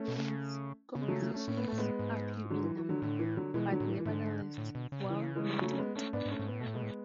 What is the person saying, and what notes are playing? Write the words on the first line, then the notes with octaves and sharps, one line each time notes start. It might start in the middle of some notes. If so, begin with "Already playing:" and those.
Bruins' compositions are few in number, but nevertheless well noted.
Already playing: A3 C#4
B2
C#3
C#3
G#3
F#3 A3
F#3 A3
A3 C#4
A2 C#4
B3
A2 A3
G#3 B3
G#2
D3 F#3
E3
E3
D3 F#3
A2 D3
E3
D3 F#3
B2 E3 G#3
D3 F#3
A2
E3
E3
G#2 D3
A2
B2
C#3
B2
C#3 E3
E3 G#3
F#3 A3
C#4
G#3 B3
A3 C#4
G#2 B3 D4
G#2
A3 C#4
G#2
A2 B3
B2 A3
A2
B2 G#3 B3
A2